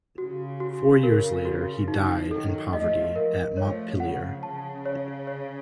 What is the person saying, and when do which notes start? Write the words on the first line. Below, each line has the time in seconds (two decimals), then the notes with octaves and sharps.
Four years later he died in poverty at Montpellier.
0.18 C#3 F#4
0.60 F#4
1.03 A#4
1.45 F#4
1.88 C#3 F3 D#4
2.30 D#3 F#3 A4
2.73 F3 A3 D#5
3.16 A#4
3.57 F3 A3 C#5
4.00 C#3 F3 F#5
4.43 C#3 A5
4.85 C#5
5.27 C#5